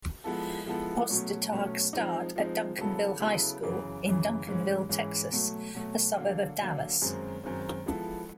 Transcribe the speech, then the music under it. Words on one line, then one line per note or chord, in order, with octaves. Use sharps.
Ostertag starred at Duncanville High School in Duncanville, Texas, a suburb of Dallas.
F3 G#3 B3 E4 A4
F3 G#3 B3 E4 A4
B2 F#3 A3 C#4
B2 F#3 A3 C#4
F3 G#3 C4 D#4
F3 G#3 C4 D#4
C#3 F#3 B3 E4 A4
C#3 F#3 B3 E4 A4
F#2 C#3 E3
F#2 C#3 E3
G#2 E3 G#3 C#4
G#2 E3 G#3 C#4
B2 F#3 A3
B2 F#3 A3
D3 F#3 A#3
D3 F#3 A#3
F#2 D#3 G#3 C4
F#2 D#3 G#3 C4
F3 G#3 B3 E4 A4